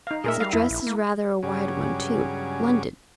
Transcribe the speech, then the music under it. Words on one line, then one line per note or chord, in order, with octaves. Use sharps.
'His address is rather a wide one, too--London!
D#4 F5
A#2 G#4 A#4 E5
G3 F5
F2 E4
A#1
A#3
G2 C#3 F#3 C#4 G#4 D6